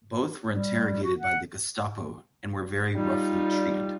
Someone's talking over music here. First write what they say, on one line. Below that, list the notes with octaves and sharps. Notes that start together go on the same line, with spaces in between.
Both were interrogated by the Gestapo and were very roughly treated.
G3
F#4
F#5
G3 D#4 F4